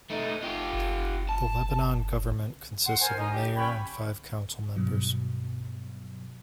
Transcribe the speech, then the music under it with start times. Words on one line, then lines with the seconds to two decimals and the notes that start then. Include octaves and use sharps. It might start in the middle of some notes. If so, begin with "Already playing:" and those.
The Lebanon government consists of a mayor and five council members.
0.10 A3 D#4
0.43 F4 G4
1.29 A5
2.87 F#5 C6
3.01 A#4 C5 G#5 A5
3.17 D#4 A#5
3.32 G4
3.56 C#4 G5 B5 C#6
4.76 G2 B2 F#3